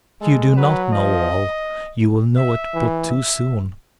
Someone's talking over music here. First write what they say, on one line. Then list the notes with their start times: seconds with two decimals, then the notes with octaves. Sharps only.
If you do not know all, you will know it but too soon ....
0.21 G#3 A4
0.57 F#3 B4
0.93 F3 D#5
2.37 E5
2.74 E3
3.10 E5